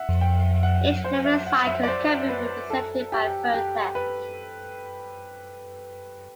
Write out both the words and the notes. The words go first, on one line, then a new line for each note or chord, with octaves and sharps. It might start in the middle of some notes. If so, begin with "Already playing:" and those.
Each flavor cycle can be represented by a vertex.
Already playing: E5 F#5
G5
F#5
C5
E5
F#5
E5
D5
C5
B4
A4
G4
G4
B4